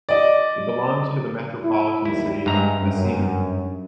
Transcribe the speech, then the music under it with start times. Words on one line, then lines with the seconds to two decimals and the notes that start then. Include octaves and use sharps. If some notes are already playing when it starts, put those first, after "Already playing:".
It belongs to the Metropolitan City of Messina.
0.09 D5 D#5
1.64 E4
2.05 D#2 G3 E4
2.46 G2 G#3 E5 A#5
2.77 F#2